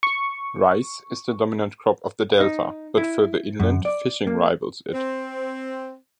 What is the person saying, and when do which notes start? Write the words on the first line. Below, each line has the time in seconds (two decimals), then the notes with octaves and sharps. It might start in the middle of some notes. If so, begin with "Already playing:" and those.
Rice is the dominant crop of the delta, but further inland fishing rivals it.
0.03 C#6
2.40 D#4
2.97 E4
3.60 F#2
3.85 D5
4.27 A#3
4.93 C4